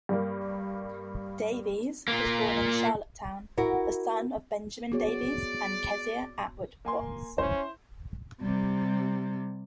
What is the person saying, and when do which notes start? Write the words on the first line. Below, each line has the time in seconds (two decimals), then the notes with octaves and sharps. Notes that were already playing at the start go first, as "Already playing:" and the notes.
Davies was born in Charlottetown, the son of Benjamin Davies and Kezia Attwood Watts.
0.09 G2 G3 A#3
2.08 A#3 F4
3.57 E4 F#4 A#4
4.92 B3 F#4 G#4 C#5 D5
6.85 A#3 G#5 C6
7.38 C#4 E4 C5
8.41 C3 G3